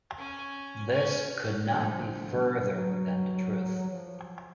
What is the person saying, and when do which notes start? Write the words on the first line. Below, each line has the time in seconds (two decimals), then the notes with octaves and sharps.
This could not be further than the truth.
0.17 C#4
0.91 C#4
1.71 D3 F3 G3 A3
2.66 F#3
3.90 F3